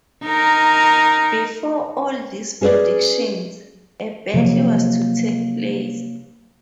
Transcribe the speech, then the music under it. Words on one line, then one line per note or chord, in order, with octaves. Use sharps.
Before all these predictions, a battle was to take place.
D#4 A#4
C#4 G#4 B4 C#5 D5
C3 F3 F#3 A#3